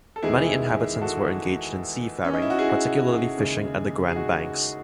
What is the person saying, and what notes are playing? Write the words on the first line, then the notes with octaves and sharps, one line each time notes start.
Many inhabitants were engaged in seafaring, particularly fishing at the Grand Banks.
A4
E2 D#3 G#3 E4 G#4
F#4 A4
C#4
D#4
E4
F#4
E4 G#4
D#2 C#3 G#3
G#4
D#4 F#4